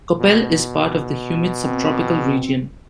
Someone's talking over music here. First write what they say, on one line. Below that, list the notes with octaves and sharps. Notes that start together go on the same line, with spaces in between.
Coppell is part of the humid subtropical region.
B2
C4